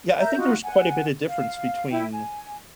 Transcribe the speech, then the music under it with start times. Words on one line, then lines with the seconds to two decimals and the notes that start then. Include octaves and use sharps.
Yeah, I think there's quite a bit of difference between,
0.19 A#4 E5 A#5 G6
0.38 D#4 F4 F#4
0.64 F#5 G#5
1.26 F5
1.90 E4 G5
2.11 G#5